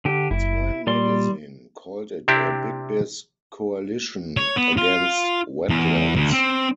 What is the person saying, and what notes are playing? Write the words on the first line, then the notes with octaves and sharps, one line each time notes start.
"Time Magazine" called it "a big-biz coalition against wetlands".
D3 G4
F#1 E4
A#2 G3 D5 C6
C3 C4 D4 E4 G4
C#5
B3
F4
E2
D2
C4